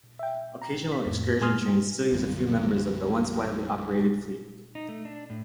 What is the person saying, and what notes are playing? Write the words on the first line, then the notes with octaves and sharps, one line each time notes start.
Occasional excursion trains still use a few members of the once widely operated fleet.
E5 G5
A#5
B6
F2 A2
A#2 G#3 G#5 C6 D#6 F6
B1 F#2 D3 G3
D#4
A3
D4
A2